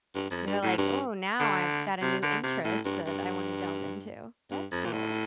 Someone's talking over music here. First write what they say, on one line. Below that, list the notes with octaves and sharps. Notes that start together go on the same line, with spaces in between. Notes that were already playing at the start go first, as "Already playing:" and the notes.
You were like, “Ooh, now I've got a new interest that I wanna delve into.” That's cool.
G2
F2
G2
A2
G2
D3
C3
D3
C3
A2
G2
G2
G2
F2
A#2
A2